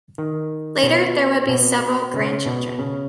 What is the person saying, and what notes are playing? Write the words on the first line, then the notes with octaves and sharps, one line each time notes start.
Later there would be several grandchildren.
D#3
B2
B2
C#3
B2
C#3